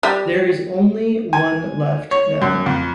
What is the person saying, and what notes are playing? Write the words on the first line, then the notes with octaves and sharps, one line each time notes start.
There is only one left now.
G3
G#5
C#5
F#2
F2